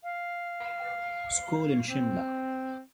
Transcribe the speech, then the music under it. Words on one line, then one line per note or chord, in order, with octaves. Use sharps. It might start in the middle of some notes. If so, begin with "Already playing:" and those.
School in Shimla.
F5
C4